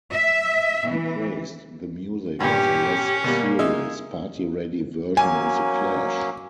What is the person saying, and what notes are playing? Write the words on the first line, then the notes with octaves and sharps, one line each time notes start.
He praised the music as a "less-serious, party-ready version of The Clash".
E5
E3
G2 A#2 C#4 G4
B2 G3 A#3
G#3 D#4 E5
F#3 A#3 C#4 G#5